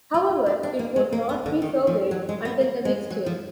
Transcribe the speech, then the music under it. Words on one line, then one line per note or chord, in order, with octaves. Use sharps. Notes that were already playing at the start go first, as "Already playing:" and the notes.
However it would not be surveyed until the next year.
F4
D4
D4
A#3
G#3
A#3
B3
D3
D#3
F3
F#3
G#3
B3
A#3
G#3
F#3
F3